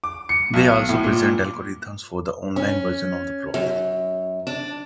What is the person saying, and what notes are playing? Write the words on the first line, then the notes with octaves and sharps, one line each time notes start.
They also present algorithms for the "online" version of the problem.
D6
C#7
B1
A2
A#2
C#4
F#2
D4